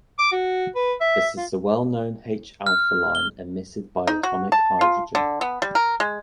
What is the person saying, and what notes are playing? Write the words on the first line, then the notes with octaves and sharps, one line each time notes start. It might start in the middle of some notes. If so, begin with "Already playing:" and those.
This is the well-known H-alpha line emitted by atomic hydrogen.
D6
F#4
B4
E5
F4
F6
G7
D#4
F#4
A5
F4
D3
B3
G3
A#4
G#3